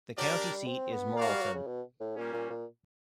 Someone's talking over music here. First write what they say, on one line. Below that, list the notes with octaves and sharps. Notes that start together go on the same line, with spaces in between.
The county seat is Morrilton.
F#3 D4 G4 A#4 D5
G3
G3
C4
B3
A#3 F#4 A#4 D5 F5
G3
F#3
C#3
B2
A2
A#2 G3 A#3 C#4
A#2
A#2